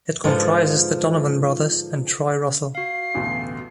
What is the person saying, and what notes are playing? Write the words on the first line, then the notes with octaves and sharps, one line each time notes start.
It comprises the Donovan brothers and Troy Russell.
G#2 D3 F3 A4 B4 C5
F#4 F5 C7
A1 D2 B2